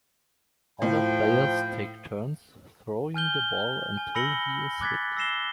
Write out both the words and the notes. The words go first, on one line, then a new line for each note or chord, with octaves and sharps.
Other players take turns throwing the ball until he is hit.
A2 F3 G5
G#5 F6 G6 G7
G#5
B5 E6 A#6 C#7 F#7 G7
D6 F#6 G#6 A6 B6
E6 A#6 C7 E7 G7